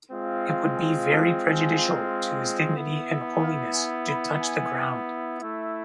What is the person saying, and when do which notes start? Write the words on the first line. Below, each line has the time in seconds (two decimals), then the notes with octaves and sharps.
It would be very prejudicial to his dignity and holiness to touch the ground.
0.11 G#3 C4 F4
0.44 F5
0.77 G#5
1.10 A5
1.44 G#5
2.76 B3 E4
3.09 E5
3.42 F5
3.74 G#5
4.07 B5
4.40 G#5
5.40 A3 E4